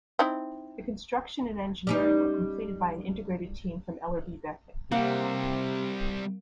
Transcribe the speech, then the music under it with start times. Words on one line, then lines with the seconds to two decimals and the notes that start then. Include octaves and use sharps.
The construction and engineering were completed by an integrated team from Ellerbe Becket.
0.19 C4 D#4 E4
1.87 G3 C#4 D#4
4.92 C3 G3 A#3 C4 F#5